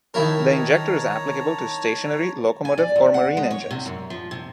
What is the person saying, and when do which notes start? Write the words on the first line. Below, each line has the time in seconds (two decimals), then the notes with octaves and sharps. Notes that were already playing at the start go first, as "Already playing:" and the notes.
The injector is applicable to stationary, locomotive, or marine engines.
0.14 D#3 E4 A#4 C#5 A5 A#5
2.65 G#5
2.78 D5
2.96 E2
3.14 F#5
3.37 G#3
3.51 C#5
3.71 C3
3.86 F#2
4.10 F3
4.31 C3